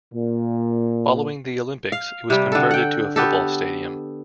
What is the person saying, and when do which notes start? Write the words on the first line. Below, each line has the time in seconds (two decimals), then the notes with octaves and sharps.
Following the olympics it was converted to a football stadium.
0.14 A#2
1.92 F5
2.30 C3 G3
2.52 D3 A4
2.71 F#5 G5
3.16 B3 G4 A4